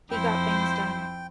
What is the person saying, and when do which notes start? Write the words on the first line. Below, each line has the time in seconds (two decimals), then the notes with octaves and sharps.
He got things done.
0.11 F2 F3 E4 C5 G5